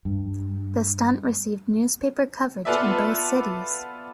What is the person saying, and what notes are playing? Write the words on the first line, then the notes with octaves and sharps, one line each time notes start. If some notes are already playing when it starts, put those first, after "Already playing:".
The stunt received newspaper coverage in both cities.
G2
B3 F4 A4 B4 D5 E5